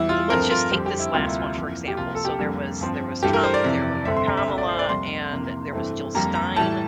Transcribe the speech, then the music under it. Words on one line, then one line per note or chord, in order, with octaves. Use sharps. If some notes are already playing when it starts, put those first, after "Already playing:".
w let's just take this last one for example. So, there was there was Trump, there was Kamala, and there was Jill Stein.
Already playing: E2 E3 G3 E4
F4
G2 F3 A3 C4 A#4
F4
F2 D3 G3 C4 G4
G4
E4
D2 C3 G3 A#3 F4
E4
F4
F2 E3 A#3
G4
C2 C3 F3 A#3 F4
A4
G4
F2 D3 G3 A#3
G2 F3 C4
G2 E3 A3 G4
A#4
C5
D5
F2 C3 E3
G2 D3 A3 C4 E5
C6
A#5
E5
C2 A#2 A3 C4 E5
D5
C5
D5
F2 C3 G3 A#3 C6
F2 C3 E3 A#3
G2 E3 A3 C4
F2 D3 G3 A#3 A#5
A#5
A2 E3 G3 A5